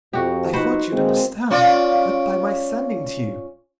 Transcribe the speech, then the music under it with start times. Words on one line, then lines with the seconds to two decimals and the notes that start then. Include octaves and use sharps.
I thought you'd understand that by my sending to you.
0.13 F2 F3 F#4 G4
0.53 D#4 F#4 B4 C5
0.92 E3 G#3 A#3 C4
1.50 C#4 F4 D5